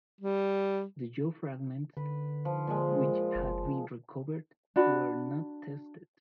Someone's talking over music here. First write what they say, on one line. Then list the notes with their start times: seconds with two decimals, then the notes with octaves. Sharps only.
The jaw fragments which had been recovered were not tested.
0.21 G3
1.97 D3 B4
2.45 F3
2.67 A#2 F3 G#3
3.35 F#1
4.76 D4 F#4 B5